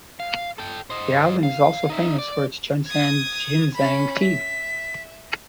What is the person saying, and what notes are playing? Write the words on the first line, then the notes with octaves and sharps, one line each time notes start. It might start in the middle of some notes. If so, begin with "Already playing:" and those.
The island is also famous for its Junshan Yinzhen tea.
F5
A4 G5
C5 D#5
F5
D#4 E5
D5
D#6 G#6
C#4 B5
E5 B6